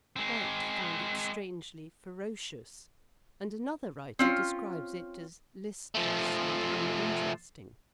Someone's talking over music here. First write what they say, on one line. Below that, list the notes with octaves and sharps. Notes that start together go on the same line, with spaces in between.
White found it strangely ferocious, and another writer describes it as listless and uninteresting.
G#3 C4
C4 C#4 F4
F3 A3